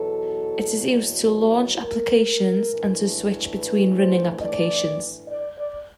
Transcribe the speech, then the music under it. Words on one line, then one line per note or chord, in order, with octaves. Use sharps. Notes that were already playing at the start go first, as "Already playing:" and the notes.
It is used to launch applications and to switch between running applications.
Already playing: E2 B2 F#3 A4
A#4
A2 E3 A3 D4
B4
C5
D5
D5
D5